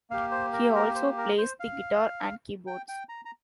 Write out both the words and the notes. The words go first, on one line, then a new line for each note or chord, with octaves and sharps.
He also plays the guitar and keyboards.
A#3 G4 F5
C5
A#4
A#4
C5
A#4
C5
F5
G5
G5
A#5
A#5